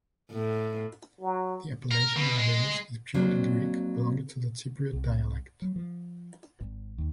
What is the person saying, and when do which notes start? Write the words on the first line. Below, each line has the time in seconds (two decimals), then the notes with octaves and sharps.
The appellation of the village is purely Greek, belonging to the Cypriot dialect.
0.31 A2
1.21 F#3
1.91 A#4
2.17 B2
2.37 G#3
3.14 F2 F#3 A#3 C4 D4
4.93 C2
5.62 F#3
5.76 F3
6.61 G#1
6.98 D#2